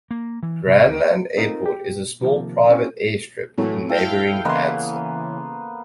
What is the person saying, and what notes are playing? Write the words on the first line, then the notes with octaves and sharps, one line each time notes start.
Cranland Airport is a small private air strip in neighboring Hanson.
A#3
E3
C3
D2
C4 D#4 F4 A#4
G4
C3 D#3 F3 A#3
A#3 C4 C#4 E4
A2 E3 F#3 A3
E4 A4 F5 G5
C#3 E3 A#3 B3 C5 D#5 C6